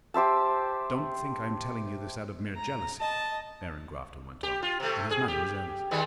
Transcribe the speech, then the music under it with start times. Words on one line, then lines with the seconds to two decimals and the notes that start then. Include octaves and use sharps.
"Don't think I am telling you this out of mere jealousy," Aaron Grafton went on, and his manner was earnest.
0.14 G4 C5 E5 A5
2.56 A#5
3.00 D#5 A5
4.43 G4
4.62 F4
4.80 C3 A3
5.11 G#4
5.28 G4
5.91 D#3 G3 G#3